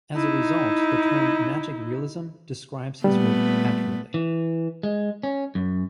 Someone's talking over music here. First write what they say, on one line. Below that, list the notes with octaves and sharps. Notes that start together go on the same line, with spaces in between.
As a result, the term "Magic Realism" describes his work accurately.
D#4 E4
A#2 G3 A3 B3
E3
G#3
C#4
F#2